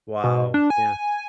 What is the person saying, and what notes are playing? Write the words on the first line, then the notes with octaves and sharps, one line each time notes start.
Wow, yeah.
B2
D4
G#5